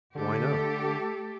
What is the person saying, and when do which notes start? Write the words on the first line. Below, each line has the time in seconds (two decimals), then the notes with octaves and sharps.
"Why not?"
0.15 D3 A3 G4 A4